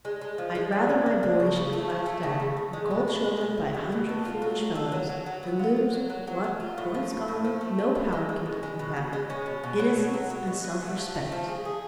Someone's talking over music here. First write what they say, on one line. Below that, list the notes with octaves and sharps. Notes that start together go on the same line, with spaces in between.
I'd rather my boys should be laughed at and cold-shouldered by a hundred foolish fellows than lose what, once gone, no power can give them back--innocence and self-respect.
G#3
G#3
F3
G#3
D4
D3
D3
D3
C#3
C#3
A3
F3
A3
C#3
C#3
C#3
G#3
B2
B2
G#3
G#3
G#3
B2
B2
A4
F4
F#3
F4
A4
F#3
F#3
F#3
B3
F4
F#3
F#3
F#3
F#3
F#3
F4
A2
F3
A2
A2
F3
A3
F3
A2
G#3
G#3
B2
G#3
B2
B2
G#3
C#4
B2
B2
F#3
B2
F#3
F#3
B2
F#3
A3
F3
A3
F3
G#4
G#4